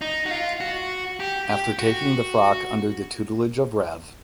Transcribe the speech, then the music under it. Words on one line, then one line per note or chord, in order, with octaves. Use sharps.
After taking the frock under the tutelage of Rev.
D#4
F#4
F4
F#4
G4
G4
F#4